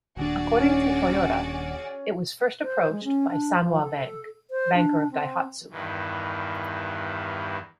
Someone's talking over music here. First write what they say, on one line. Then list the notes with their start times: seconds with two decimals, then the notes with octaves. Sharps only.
According to Toyota, it was first approached by Sanwa Bank, banker of Daihatsu.
0.17 D#1 D#2 D4 F#4 G#4 D5
0.60 C#4
2.62 C5
2.91 G#3
3.04 C#4
3.30 D4
3.62 F3
3.82 A4
4.51 C5
4.75 D4
5.11 C4
5.71 E2 G2 D#3 E3